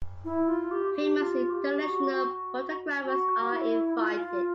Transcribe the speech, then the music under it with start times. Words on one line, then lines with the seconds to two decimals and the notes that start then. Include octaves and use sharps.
Famous international photographers are invited.
0.24 E4
0.48 F4
0.71 G4
0.94 G4
1.18 F4
1.49 G4
1.80 F#4
2.11 F#4
3.05 F#4
3.51 E4
3.98 F4
4.22 F4